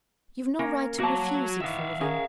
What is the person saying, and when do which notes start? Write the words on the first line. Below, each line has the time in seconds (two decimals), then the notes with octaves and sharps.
You've no right to refuse it for them.
0.59 A#3 C#4 A#4
1.00 A#3 F#4 C#5 A5
1.62 D#3 E3 E5 F5
2.00 C#4 G#4 A#4